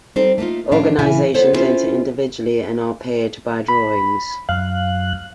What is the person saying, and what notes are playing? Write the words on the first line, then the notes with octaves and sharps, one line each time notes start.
Organizations enter individually and are paired by drawings.
G3 C4 D#4 A4 C5
A3 A#3 C#4 D#4 F4
A2 E3 F3 C#4 D4 F5
A#2 C#3 E3 E4 E5 G#5
B3 F4 A4 C5 C#5
B3 C#4 E4 F4 G#4 C5
B5
F#2 F5 F#6